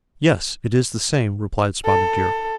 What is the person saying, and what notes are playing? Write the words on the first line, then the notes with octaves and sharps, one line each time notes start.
"Yes, it is the same," replied Spotted Deer.
A4